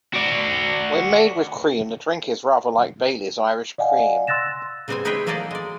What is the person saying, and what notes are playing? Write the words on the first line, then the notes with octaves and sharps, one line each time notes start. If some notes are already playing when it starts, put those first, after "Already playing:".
When made with cream the drink is rather like Baileys Irish Cream.
F#4 D5
D5 D#5 F5 F#5 G#5
C6 E6 F#6 A6 A#6 E7
C#3 G3 B3 C4 C5 G#5
D#4 G#4 B4 C#5 E5 G5
F#3 A#3 G#4 A4 D5 D#5
G#3 D5